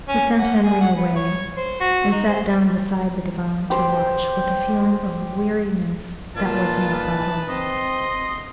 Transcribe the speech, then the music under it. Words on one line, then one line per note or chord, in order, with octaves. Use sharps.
He sent Henri away and sat down beside the divan to watch with a feeling of weariness that was not bodily.
C#4
F#5
G#4
F#5
B3
C#5
C5
F#4
D#4
C5
G4 C5
A#2 D#4 F4 B4 A5
C4 D#5 C6